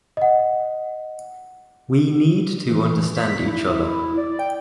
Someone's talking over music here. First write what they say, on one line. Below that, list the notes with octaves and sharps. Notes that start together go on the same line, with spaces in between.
We need to understand each other.
D#5 F#5
E3
B6
E4
E4
D5
G5